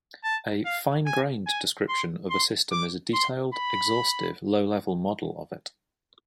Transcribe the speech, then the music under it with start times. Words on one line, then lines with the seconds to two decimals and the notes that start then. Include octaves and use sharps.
A "fine-grained" description of a system is a detailed, exhaustive, low-level model of it.
0.24 A5
0.65 F5
1.06 G#5
1.47 G#5
1.89 C6
2.30 C6
2.72 D6
3.13 C6
3.54 B5